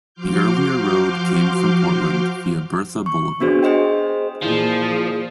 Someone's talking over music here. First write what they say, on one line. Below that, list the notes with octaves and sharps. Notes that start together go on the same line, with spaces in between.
The earlier road came from Portland via Bertha Blvd.
F3 F#4 C6 D6 F6 G6
C#6
B3 D4 F#4 G#4 C5
G#4 C5 D#5 G5
A#2 E3 F3 G#4